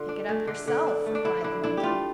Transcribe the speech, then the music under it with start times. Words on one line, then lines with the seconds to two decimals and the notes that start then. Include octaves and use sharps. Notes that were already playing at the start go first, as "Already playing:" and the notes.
"Pick it up yourself," replied the monkey.
Already playing: D3 F4
0.09 D4
0.29 A3
0.47 D3
0.67 D3
0.86 D4
1.06 A3
1.15 D4
1.25 D3 E4
1.44 D3 E4
1.64 D4 E4
1.77 G4
1.83 A3 F4